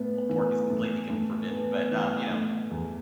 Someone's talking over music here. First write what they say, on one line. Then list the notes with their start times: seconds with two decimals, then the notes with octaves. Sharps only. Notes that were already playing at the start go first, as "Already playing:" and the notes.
well, pork is completely c forbidden, but, um, you know,
Already playing: A2 B3
0.29 E3
0.70 A2
1.10 A2
1.51 B3
1.91 E3
2.31 A2
2.71 E2